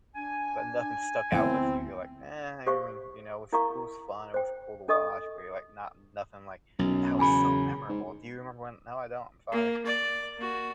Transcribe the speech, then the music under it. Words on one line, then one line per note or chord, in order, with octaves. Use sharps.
But nothing stuck out with you. You're like, "Eh, I mean, you know, if it was fun, it was cool to watch," but you're like, not nothing like, "That was so memorable. Do you remember when" "No, I don't. I'm sorry."
D4 G#5
D2 B3 C4 E4
G4 C5 F5 C#6
E4 A#4 F5 A#5 C#6
C5 G5
D4 A4 D#5 C#6 D#6
B1 F#2
E2 C#3 G#5 B5
G#2
A#3
D5
A#3 F#4